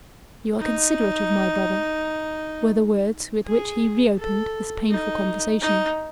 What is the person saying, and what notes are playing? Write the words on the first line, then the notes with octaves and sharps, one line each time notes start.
"You are considerate of my brother," were the words with which he re-opened this painful conversation.
D#4
G#4
A4
D#4
D#4